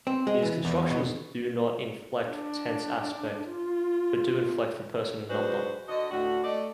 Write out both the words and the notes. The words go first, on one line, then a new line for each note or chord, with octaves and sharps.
These constructions do not inflect for Tense-Aspect, but do inflect for person and number.
C4
G#3
E3
E2
B2
D4
F4
F#3 G#3 D4 F#4 B4 C5
D3 D4 F#4 D#5
D2 A2 D4 F#4
A3 D5 D#5